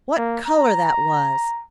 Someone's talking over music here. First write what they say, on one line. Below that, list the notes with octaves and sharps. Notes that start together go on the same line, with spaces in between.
What colour that was!
A#3
A#5